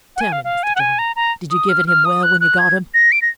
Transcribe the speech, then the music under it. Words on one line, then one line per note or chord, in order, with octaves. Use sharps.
Tell me, Mr. John, did you give it him well when you got him?
F#5
G#5
F5
F5
G#5
F#5
G#5
A#5
A#5
D#6
F6
F6
D#6
F#6
F#6
G#6
A#6
D7
A#6